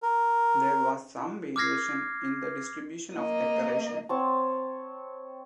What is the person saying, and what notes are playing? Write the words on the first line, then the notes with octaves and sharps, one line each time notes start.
There was some variation in the distribution of decoration.
A#4
D6 E6 F6 G#6 A#6 C7
A#3 D#5
C4 C#5 A5